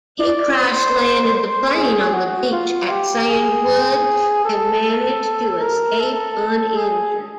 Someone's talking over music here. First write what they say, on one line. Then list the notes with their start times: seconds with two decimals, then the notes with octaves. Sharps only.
He crash-landed the plane on the beach at Sandwood, and managed to escape uninjured.
0.20 D5
0.58 C5
1.36 C5
1.75 G#4
2.13 F#4
2.52 F4
2.91 G4
3.29 G#4
4.45 A4
5.61 A#4
6.00 A4
6.77 G#4